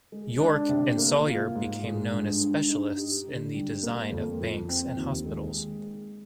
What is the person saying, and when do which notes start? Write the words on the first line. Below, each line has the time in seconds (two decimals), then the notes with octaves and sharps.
York and Sawyer became known as specialists in the design of banks and hospitals.
0.12 G#3
0.40 D4
0.69 C3
0.98 A#3
1.26 F4
1.55 G#2
1.84 G#3
2.11 G2
2.41 G2
2.69 D#4
2.97 G4
3.26 D3
3.54 G3
3.83 A#3
4.12 F2
4.40 F3
4.69 C4
4.97 D#2
5.26 G#3